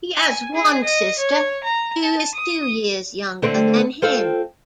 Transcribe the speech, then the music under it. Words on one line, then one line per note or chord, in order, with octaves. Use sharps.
He has one sister, who is two years younger than him.
G#5
G#4
D#5
C#5
A#5
A5
D#6
D3 A3 C4
C4 F4 A4